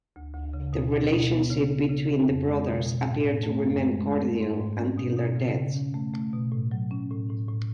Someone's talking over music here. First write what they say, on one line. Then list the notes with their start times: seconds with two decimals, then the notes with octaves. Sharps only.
The relationship between the brothers appeared to remain cordial until their deaths.
0.16 D2
0.34 D2
0.53 C#3
0.73 B2
0.92 D4
1.12 B2
1.32 B3
1.51 C#3
1.70 B3
1.89 C#3
2.08 C#3
2.28 F2
2.47 G#3
2.66 B2
2.86 B2
3.04 A2
3.25 A2
3.43 A3
3.63 F#2
3.82 G#3
4.02 G#3
4.21 A3
4.40 G#2
4.60 G#2
4.79 C#4
4.98 B2
5.17 B2
5.36 C#3
5.56 C#3
5.74 C#4
5.94 A3
6.14 A3
6.33 B2
6.52 A2
6.71 F#3
6.91 C#4
7.10 A2
7.30 A2
7.48 A2